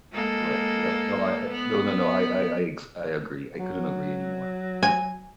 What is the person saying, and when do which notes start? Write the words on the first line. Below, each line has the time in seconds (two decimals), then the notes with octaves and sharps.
Correct, yep, no, I eh No, no, no, I I I ex I agree, I couldn't agree any more.
0.13 G#3 A#3 A4
1.51 B3
3.60 F#3
4.83 G#5